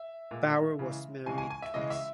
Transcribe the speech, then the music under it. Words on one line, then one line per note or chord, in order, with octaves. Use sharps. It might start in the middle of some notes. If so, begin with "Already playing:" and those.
Bauer was married twice.
Already playing: E5
A#2 G#3
C#3 E3 G#3
C#3 E3 G#3 G#5
G#5
G#5
E5
C#3 E3 G#3 D#5
E5